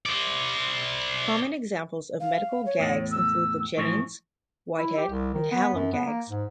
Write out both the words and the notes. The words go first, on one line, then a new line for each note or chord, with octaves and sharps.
Common examples of medical gags include the Jennings, Whitehead, and Hallam gags.
C5 D5
F5
C#5
E2 A2
E6
A2 E3 F3 C#6
E4
G4
C2
D#3
B3
F#2
B3
A#3
G#2